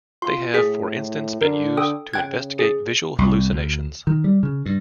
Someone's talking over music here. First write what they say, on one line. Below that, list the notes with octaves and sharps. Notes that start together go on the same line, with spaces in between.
They have for instance been used to investigate visual hallucinations.
F4 C6
A2 G#4 B6
D3 A#4
A4 G5 D#6
C#3 G5 F#6 G#6
G#4
C2
D2
D#3
G3
C#3
G2